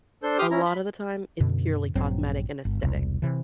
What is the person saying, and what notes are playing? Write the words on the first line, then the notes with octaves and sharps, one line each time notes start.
a lotta the time it's purely cosmetic and aesthetic.
D4 A4 C5 G6
G4 G5 C6 D6 D#6 F6
C#4 E4 A#5
B5
F#2 B2 D3
A#1 G2 F#3 C4
G1
E1 C2
C3 E3